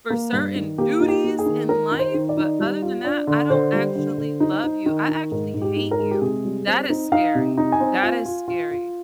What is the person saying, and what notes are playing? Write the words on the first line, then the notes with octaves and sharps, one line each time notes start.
for certain duties in life, but other than that, I don't actually love you, I actually hate you." That is scary. That is scary.
A#3
G2
D#3
A#3 G4
D#4
G4
A#3
G#4
D#3
D#3 A#4
D#4
C5
D#3
D5
D#4
G3
F4
D4
D3
D3 C5
G3
D3
D3
D#4
D#4
D#3
D#4
G#2 A#4
G#2
G4
D#4
A#4
G#3
G4
C3 G#4
G3
C4
D#4
D#4 F5
C3
D#4
G#5
C4
F4
F4
F4
F4